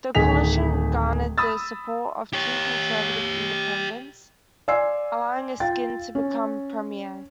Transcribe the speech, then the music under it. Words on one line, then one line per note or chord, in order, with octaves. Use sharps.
The Coalition garnered the support of two conservative independents, allowing Askin to become Premier.
D1 D#3 G#4 B6 F7
B5 D#6 E6 A6
G4 C#5
D5 F5 G#5 C6 E6 C7
F4 G5 A6
C#4